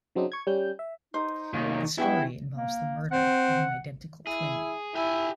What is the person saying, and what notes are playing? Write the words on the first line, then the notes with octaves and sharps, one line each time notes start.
The story involves the murder of an identical twin.
C#3 F#3 C4 D4 D#4
C#6 G#6
G3 C#4 G6
E5
D#4 C5
C2 F#2 D#3 A#3
G2 F#3 B3 E4 G#4 G5 C#6
A#3
C4 F#5
E4 G#4
E4 G4 G#5